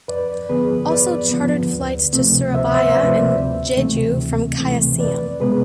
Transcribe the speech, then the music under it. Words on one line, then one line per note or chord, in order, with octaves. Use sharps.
Also chartered flights to Surabaya and Jeju from Kaohsiung.
F2 B4 D5
D3 F3 B3 G#4 B4
F2 B4 D5
D3 F3 B3
D2
C3 F3 A3 C4
D2 C5 E5
C5 E5
C3 F3 A3 C4 B4 D5
D2
C3 E3 A3 C4
D2
C3 E3 A3 C4
F2 B4 D5
C3 G#3 B3 G#4 B4